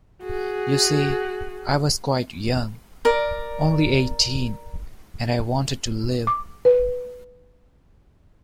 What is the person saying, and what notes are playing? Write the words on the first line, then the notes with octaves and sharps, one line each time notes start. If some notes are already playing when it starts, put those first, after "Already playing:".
You see, I was quite young — only eighteen — and I wanted to live.
F#4 G#4
A#4 D5
D6
B4